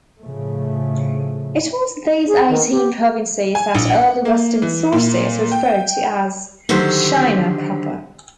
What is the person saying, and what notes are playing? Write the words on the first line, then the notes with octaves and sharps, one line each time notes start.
It was these eighteen provinces that early Western sources referred to as China proper.
A2 C#3 F3 A3
G#4
D#3
G4
G#5
A#1
F#5
A#3
E3
A#2
G5
D3 D#3 F#3 G4 C5